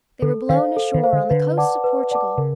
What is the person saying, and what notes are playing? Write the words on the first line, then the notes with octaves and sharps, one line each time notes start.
They were blown ashore on the coast of Portugal.
D3 A4
D#3 C5 F5
A4
D#3
C5 F5
D3
D3 B4
D5 F#5 A5 D6
B4
D5 F#5 A5 D6
C#3 A#4